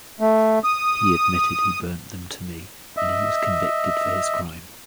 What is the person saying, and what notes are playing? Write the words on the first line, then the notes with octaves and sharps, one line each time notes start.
He admitted he burnt them to me, and he was convicted for his crime.
A3
D#6
D#5 E5